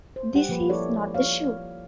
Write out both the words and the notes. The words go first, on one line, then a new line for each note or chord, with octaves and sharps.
This is not the shoe.
C5
G3 G4 F#5
F3 A#3 B4
E4 A4 C#5 D5
F4 C#5 F5